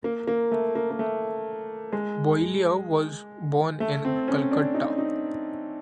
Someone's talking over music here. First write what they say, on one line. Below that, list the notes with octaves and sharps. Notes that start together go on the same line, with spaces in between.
Boileau was born in Calcutta.
A#3
A#3
A3
A#3
A#3
A3
G#3
A3
C4
C#4
D4
D#4
D#4